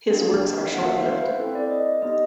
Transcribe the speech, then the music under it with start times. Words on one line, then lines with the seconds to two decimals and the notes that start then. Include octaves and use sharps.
His works are short-lived.
0.11 A#3 D4 G4
0.74 A#3 C#4 F#4 F#5
0.85 E5
0.96 F5
1.06 C5
1.22 B4
1.39 C4 E4 A4
1.55 D5
1.70 D#5
2.02 B3 D#4 G4 D#5